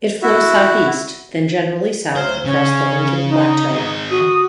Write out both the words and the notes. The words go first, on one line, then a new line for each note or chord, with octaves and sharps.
It flows southeast, then generally south across the Lincoln Plateau.
E4 F#4 E5
D2 F#3 C5 F6
C#3 C#4
D#4
D#3 G#4
F#4 D#6